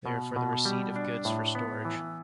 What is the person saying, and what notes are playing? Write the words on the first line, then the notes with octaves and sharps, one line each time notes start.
They are for the receipt of goods for storage.
B2
B2
G3
D4
A2
B3
E3